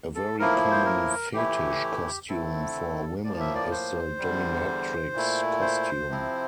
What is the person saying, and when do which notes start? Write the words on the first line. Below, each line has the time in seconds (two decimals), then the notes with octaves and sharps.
A very common fetish costume for women is the dominatrix costume.
0.15 A4
0.39 A2 F3 A#3 E4 A#4
0.71 C5
0.86 A#4
1.34 A2 E3 A3 E4 G4
2.29 D3 A3 C4 E4 A4
3.23 A2 F3 A#3 D5
3.40 E5
3.55 D5
3.71 C5
4.18 E2 D3 G3
5.13 A#2 A3 E4
5.62 C5
6.09 C3 F3 C4 E4